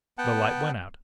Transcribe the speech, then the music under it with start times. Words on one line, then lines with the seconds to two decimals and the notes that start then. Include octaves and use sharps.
The light went out.
0.18 B3 F#5 G5 A5